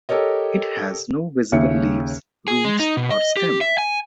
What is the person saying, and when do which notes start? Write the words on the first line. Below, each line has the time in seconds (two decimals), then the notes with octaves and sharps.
It has no visible leaves, roots, or stem.
0.09 G4 A4 A#4 C#5 D#5
1.52 D#2 C#3 E5 C#7
2.48 G#4
2.65 G#3
2.80 D#4
2.97 B2
3.11 D#5
3.37 G4
3.61 E5
3.78 G#5